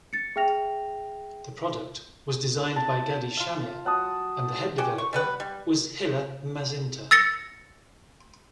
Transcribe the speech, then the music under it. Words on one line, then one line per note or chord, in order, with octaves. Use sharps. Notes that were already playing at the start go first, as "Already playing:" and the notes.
The product was designed by Gadi Shamia and the head developer was Hilla Mazinter.
A6 C#7
G#4 E5 G5 F6 A#6 F7
A5
F4 F5
F#3 F#5 A5 D#6
C#4 F#4 G4
C#6
G3 B3 B4
G3
E6 A6 A#6 C#7